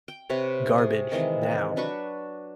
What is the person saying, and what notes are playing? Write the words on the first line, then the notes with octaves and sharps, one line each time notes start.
Garbage now."
G5
C3 C4 B4 C#5
G#4
D#3 E3 G#3 C4
F#3 D4 B4 C#6